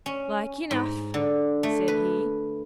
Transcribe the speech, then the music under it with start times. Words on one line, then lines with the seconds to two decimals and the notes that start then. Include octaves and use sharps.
"Like enough," said he.
0.06 C#4
0.71 G#2
1.14 D3
1.63 A3
1.88 B4